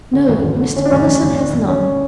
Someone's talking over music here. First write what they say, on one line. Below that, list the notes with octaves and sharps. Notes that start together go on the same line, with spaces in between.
"No, Mr. Brotherson has none."
D3
D2
D2
D3
D3 C#4
D4
D2 C#4
D2 D4
C#4
D2
D3 D4
D2
D2 C#4